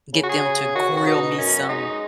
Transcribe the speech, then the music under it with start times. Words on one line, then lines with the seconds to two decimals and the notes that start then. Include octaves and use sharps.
get them to grill me some,
0.13 C#3
0.23 F#4
0.29 G#4
0.45 C#3
0.75 D#3 F#4
0.83 C#3
0.91 B2
0.97 C#3 F#4
1.06 B2 D#4
1.38 F#2 C#4
1.63 F#4
1.69 G#3 D#4